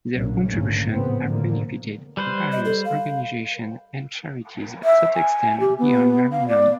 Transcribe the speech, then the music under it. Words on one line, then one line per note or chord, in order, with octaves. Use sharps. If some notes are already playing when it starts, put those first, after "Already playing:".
Their contributions have benefited various organizations and charities that extend beyond Maryland.
A#1 A2 C#3 F#3 A#3
G#1 D#2 A2 D3 A#3 C#4
F2 A2 C#3 B3 C4
A2 D3 F3 F#3 A#3
G3 B4 C5
D#5
A4
F5
E5
G#5
G4
B3
F5
D5